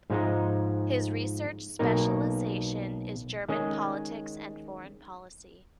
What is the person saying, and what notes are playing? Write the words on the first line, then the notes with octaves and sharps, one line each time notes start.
His research specialization is German politics and foreign policy.
G#2 F3 G#3 D#4
B1 B2 A#3 D#4 A#4
D#3 G#3 C#4 G#4 D#5